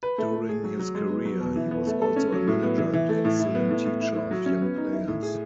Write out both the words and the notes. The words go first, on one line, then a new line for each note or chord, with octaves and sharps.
During his career, he was also a manager and excellent teacher of young players.
B4
A3
A3
G#4
F#3
F#3
G#3
B3
F#3
B2
E3
B3
A3
A4
C#4
F#3
A2
B3
E3
E3
A3
A2
E4
B3
A2
A2
E4
E4
F#3
C#4
B3
D#4
E4
A2
G#4